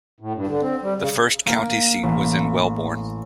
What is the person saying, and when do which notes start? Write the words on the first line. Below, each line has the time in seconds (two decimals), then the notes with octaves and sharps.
The first county seat was in Wellborn.
0.20 A2
0.35 G2
0.47 D3
0.61 C4
0.82 G3
0.98 C#3
1.46 A#3
2.03 A1